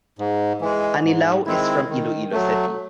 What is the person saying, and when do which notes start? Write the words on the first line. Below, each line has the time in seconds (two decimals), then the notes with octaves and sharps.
Anilao is from Iloilo City.
0.19 G#2
0.61 E3 G#3
1.04 G#2
1.46 D#3 G#3 C4 E4
1.89 D#3
2.32 F#3 A3